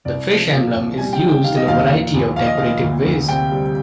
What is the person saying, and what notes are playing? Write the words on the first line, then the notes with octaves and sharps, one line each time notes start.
The fish emblem is used in a variety of decorative ways.
C2 D5
F3
A#2
C2
G3 G#5
G5
G3
G5
D#3 F5
D#5
D#2 F5
A#2
A#1
A#1 F5
D#5
A#2 F5
D2
D2
C3 G5
G3